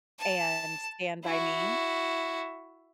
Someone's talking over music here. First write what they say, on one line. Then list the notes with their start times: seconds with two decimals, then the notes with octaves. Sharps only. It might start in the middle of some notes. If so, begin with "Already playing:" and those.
and Stand By Me.
0.19 A5
1.24 E4 F#4